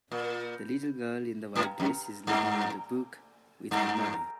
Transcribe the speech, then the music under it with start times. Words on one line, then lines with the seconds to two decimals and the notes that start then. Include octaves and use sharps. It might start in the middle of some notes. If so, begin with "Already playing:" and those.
The little girl in the white dress is looking at a book with her mother.
0.11 A#2
1.56 G#2
1.80 F2
2.27 G2
3.71 G2